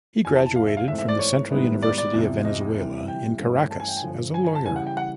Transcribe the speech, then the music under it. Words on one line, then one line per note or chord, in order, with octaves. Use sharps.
He graduated from the Central University of Venezuela in Caracas as a lawyer.
F2 C3 E3 G#5
A5
A5
F5
E5
F5
G#2 E3 A3 C4 E5
E5
D5
C#5
G#2 D#3 G3 B3 E4
D5
D5
E2 C3 F3
D#5
C3 E3 G3
G5
G2 E3 A3 C#4
A5
G#5
G5
G#5
G2 D3 F3
G#5
G#5
A5
C#3 E3 G3 G#5
F#5
G5
F#5